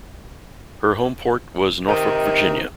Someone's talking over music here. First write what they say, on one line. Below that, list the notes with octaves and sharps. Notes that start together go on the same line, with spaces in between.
Her home port was Norfolk, Virginia.
C3 D#3 D#4